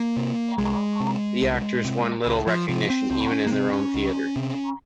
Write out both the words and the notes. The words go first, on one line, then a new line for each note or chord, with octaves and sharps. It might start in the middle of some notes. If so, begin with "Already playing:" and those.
The actors won little recognition, even in their own theatre.
Already playing: A#3
C3
C2 G#3
C3
C2
C3
C#2
F3
C3 F3
C4
C#2 C4
C#4
A#3
C3 C4
C#4
C#2
C3